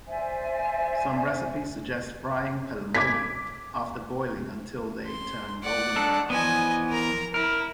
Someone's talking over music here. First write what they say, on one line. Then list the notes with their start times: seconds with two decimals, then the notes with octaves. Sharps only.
Some recipes suggest frying pelmeni after boiling until they turn golden brown.
0.06 C5 D5 E5 G#5
2.95 D6 G#6 B6
5.06 C6
5.63 D5 F#5
5.96 D4 D#4 A4
6.30 E3 F3 B3 D#5 G#5
6.90 A#4 A#5
7.34 E4 A#4